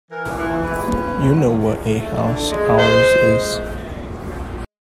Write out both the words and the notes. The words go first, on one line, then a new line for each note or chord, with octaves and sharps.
You know what a house ours is.
E3 A#4
E3
G#2 B4
C#4
E2
E2
C#3
A3
D3
G#3
G#3 C5
G#3